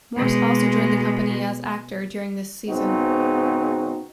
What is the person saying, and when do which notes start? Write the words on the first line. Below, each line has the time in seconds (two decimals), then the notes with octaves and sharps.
Morse also joined the company as actor during this season.
0.17 B2 G#3
2.68 G#2 C#3 B3 C4 D#4 F#4